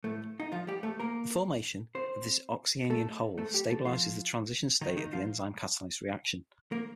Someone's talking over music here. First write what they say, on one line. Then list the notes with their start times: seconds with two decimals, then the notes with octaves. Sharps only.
The formation of this oxyanion hole stabilizes the transition state of the enzyme-catalyzed reaction.
0.04 A2 A3
0.40 D#4
0.52 F3 F4
0.67 G3 G4
0.83 A3 A4
0.99 A#3 A#4
1.95 C4 C5
2.90 A3 A4
3.38 A3 A4
3.54 G3 G4
3.69 A3 A4
3.85 F3 F4
4.81 D#3 D#4
4.97 D#3 D#4
5.13 F3 F4
6.72 A#3 A#4